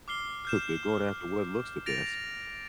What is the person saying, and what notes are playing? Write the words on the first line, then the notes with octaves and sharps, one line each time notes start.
They're going after what looks the best.
D6 F6 C7 G7
F6 G6 E7
A6 A#6 D7 F7